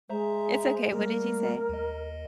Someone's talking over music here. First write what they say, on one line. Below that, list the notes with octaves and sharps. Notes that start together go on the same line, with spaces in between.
it's okay, what did you say?
G#3 C5 E5 A#5
G3 A3 A#3 A#4
D#2 D#5